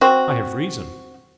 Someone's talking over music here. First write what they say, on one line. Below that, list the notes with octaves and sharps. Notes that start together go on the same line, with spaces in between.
I have reason.
C4 F#4